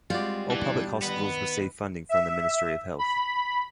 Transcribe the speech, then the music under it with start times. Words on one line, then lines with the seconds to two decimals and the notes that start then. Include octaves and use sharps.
All public hospitals receive funding from the Ministry of Health.
0.10 G3 G#3 C4 F4 F#4 D5
0.51 B2 E3 D4
1.02 D#3 B3 B4
2.09 E5
2.99 B5